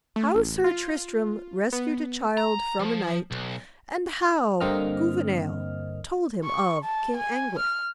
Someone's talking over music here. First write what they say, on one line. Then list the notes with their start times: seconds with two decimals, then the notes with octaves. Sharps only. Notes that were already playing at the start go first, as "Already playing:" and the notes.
How Sir Tristram rescued a child from a knight, and how Gouvernail told him of King Anguish.
0.16 A3
0.35 A1
0.64 F4
1.73 B3
2.37 A#5
2.79 F3
3.31 B1
4.60 G2 D3 A#3 C4 D#5 F6
6.45 C#6
6.84 A5
7.17 G#5
7.59 F6